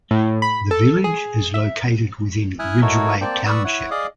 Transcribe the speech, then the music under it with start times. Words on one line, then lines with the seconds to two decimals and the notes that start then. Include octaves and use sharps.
The village is located within Ridgeway Township.
0.11 A2
0.42 B5
0.71 A4
1.04 G#4
1.54 E5
2.59 E4 E5 G#5 D#6 F6 F#6
2.82 D#4 E4 F#4 A4 A#4 C#5
3.21 A#3 C4 D5 G5 A5
3.46 B4 D5 C#6 D#6 E6
3.64 E4 C#5 F#5
3.91 G#4 D5 D#5 F5 D6 D#6